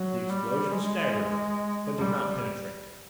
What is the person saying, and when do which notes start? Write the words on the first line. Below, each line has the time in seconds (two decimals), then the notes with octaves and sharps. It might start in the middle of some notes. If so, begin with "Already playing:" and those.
The explosions staggered her, but did not penetrate.
Already playing: F#3
0.29 G3
0.72 G#3
1.98 G3